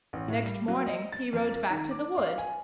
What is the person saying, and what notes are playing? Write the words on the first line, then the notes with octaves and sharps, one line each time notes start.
Next morning he rode back to the wood.
A1
A2
G3
F#3
D#5
A6
F2
D#3
D6
F5
G#5